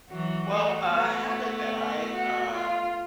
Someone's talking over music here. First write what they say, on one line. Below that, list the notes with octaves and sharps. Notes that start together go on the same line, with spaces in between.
Well, a habit that I, uh,
E3 F#3 F#4
G3 A3
A3 B3
F#4
F4